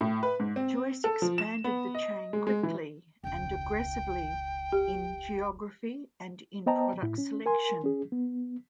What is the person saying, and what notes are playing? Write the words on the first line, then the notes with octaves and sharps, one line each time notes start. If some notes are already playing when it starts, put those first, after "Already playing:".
Joyce expanded the chain quickly and aggressively in geography and in product selection.
A2
B4
G#2
C4
A4
F3
E7
B3
D#5
G#3
G#3
E3
E1 C#2 G5
G4
B3 C5 D#5 G5 A5 A#5
A2 E4
C#4
A#4 G#5 C6
C#4 G#4
B3